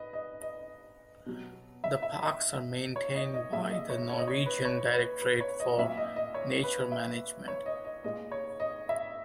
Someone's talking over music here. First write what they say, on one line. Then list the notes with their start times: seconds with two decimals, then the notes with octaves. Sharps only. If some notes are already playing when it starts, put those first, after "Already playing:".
The parks are maintained by the Norwegian Directorate for Nature Management.
Already playing: B4 D#5
0.13 D#5
0.41 D#5
1.26 B2 F#3
1.84 E5
2.03 E5
2.21 D#5
2.96 C#5
3.15 D#5
3.34 D#5
3.52 A#2 G#3 E5
3.71 D#5
3.90 C#5
4.09 C#5
4.19 D#5
4.28 C#5
4.46 B4
4.65 C#5
4.93 B4
5.21 B4
5.41 C#5
5.60 D#5
5.78 A#2 F#3 E5
5.97 D#5
6.16 D#5
6.34 C#5
6.63 B4
6.92 E5
7.48 C#5
7.66 D#5
7.85 D#5
8.04 A#2 G#3 D#5
8.32 C#5
8.60 D#5
8.89 E5